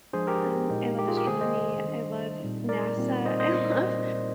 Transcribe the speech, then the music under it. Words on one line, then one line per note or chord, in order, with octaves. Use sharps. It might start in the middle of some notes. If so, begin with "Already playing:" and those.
Um, I love astronomy, I love NASA, I love
F3 G#3 D4 G#4 C5
G4 A#4
A#2 G#3 D#4
G4
F4 G#4
G4 A#4
C3 D#3 G#3 G#4 C5
C5 D#5
D#3 G3 D4
A#2 G3 C4 D#4
A#4 D5
A#2 G3 C4 D#4
C5 D#5
C5 D#5